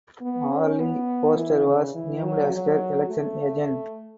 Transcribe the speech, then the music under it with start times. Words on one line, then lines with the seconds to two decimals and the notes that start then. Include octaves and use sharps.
Arlene Foster was named as her election agent.
0.21 B3
0.51 C#4
0.79 B3
1.37 E3
1.65 C#3
1.95 E3
2.23 F#3
2.52 F#3
3.09 A3